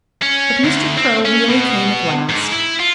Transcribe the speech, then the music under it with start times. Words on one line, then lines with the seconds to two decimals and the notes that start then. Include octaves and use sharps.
But Mr. Crow really came at last.
0.22 C#4
0.64 D2
0.97 C4
1.25 C#4
1.49 B2
2.29 G#2
2.52 E4
2.79 F4